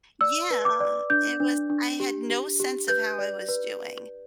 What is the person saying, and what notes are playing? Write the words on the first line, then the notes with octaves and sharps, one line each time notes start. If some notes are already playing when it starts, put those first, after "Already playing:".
Yeah. It was I had no sense of how I was doing.
D5 E6
B4
D6
D5
D4 G6
D4
D4
G4
G4
G4
B4 G6
D5
B4